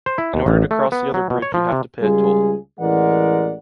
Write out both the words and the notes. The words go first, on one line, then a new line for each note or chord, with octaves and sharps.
In order to cross the other bridge you have to pay a toll.
C5
E4
D#2
A1
A3
B3
F#3
B2
C#5
F3
C3
C#2 G3 F4 G#4
A1 E3 G#3 A#4 D5 F#5